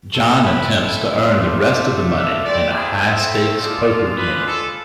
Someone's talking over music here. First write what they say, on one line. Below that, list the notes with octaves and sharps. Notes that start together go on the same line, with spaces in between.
John attempts to earn the rest of the money in a high-stakes poker game.
A3 C4 E4 A4
B4
A4
A3 D4 F4 C5
E5
A3 C4 E4 D5
G#4
A4
G#3 D4 F4
B4
A4